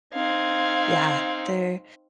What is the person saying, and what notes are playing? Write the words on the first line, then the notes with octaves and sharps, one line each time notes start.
yeah, they're
C4 D#4 F5 G#6